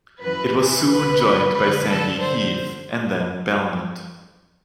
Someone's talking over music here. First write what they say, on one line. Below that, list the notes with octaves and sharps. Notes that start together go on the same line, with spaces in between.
It was soon joined by Sandy Heath and then Belmont.
F#2 E3 B4
E2 C3 E3
C2 B2 B4
G2 D3
F#2 D3 B4
D2 D3 A4
G2 D3 C5